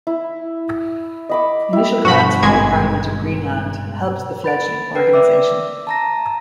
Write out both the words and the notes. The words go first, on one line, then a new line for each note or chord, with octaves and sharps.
Initial grants from the Parliament of Greenland helped the fledgling organization.
E4
D#5 B5 D6
E4 G4
G2 B2 F#4 B5
G#1 G#3 G#6
B5 A6 D7
A#4 B4 G5
D5 E5 D6 E6
A5 A#5 A#6